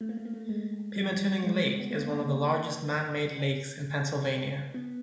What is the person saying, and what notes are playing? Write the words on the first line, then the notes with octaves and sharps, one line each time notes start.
Pymatuning Lake is one of the largest man-made lakes in Pennsylvania.
A3
A#3
A3
A#3
A3
G#3
G3
G#3
B3
A#3
B3